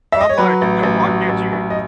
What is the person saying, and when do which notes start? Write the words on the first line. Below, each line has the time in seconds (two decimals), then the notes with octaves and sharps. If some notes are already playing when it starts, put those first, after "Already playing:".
So I'm like, you know, why can't you
0.12 E5
0.21 D#5
0.29 C#5
0.38 F#3 B4
0.61 A1
0.83 A1
1.06 F#3
1.29 A1
1.52 A1
1.70 D#5